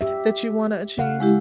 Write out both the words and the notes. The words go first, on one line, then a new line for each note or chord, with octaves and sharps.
that you wanna achieve?
G4 E5
C#3 F5 F#5
G#3 E4 G4